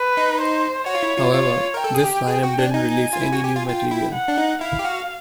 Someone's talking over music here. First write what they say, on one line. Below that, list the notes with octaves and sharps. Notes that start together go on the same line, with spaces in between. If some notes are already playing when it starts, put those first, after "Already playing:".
However, this line-up didn't release any new material.
Already playing: B4
D#4
C5
F#4 C#5
F4
E4
F4
F4 C#5
A#4
A4 G5
G#4
G4
G#4
F#4
D4
D#4 G#5
F4
E4
F#4
G4
F4
F4 G5
E4
F#5
D4
D#4
E4 F5
G4
F#4